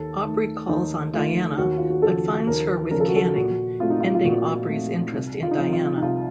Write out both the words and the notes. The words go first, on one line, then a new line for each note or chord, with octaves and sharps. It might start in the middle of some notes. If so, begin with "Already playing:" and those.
Aubrey calls on Diana, but finds her with Canning, ending Aubrey's interest in Diana.
Already playing: D#2 A4
D#3 A3
D#2 D#4
D#3 A3 F4
D#2 F#4
F4
F#4
C#3 F3 A4
D#2 A#4
C#3 F3 A#4
A4
F#4
A4
A#2 F#4
A3 C4 F4
D#4
F4
F4
A#2 F#4
A3 C4
C2
F4
D#4
C3 F3 C4 F4
F4
D#4
C2 F4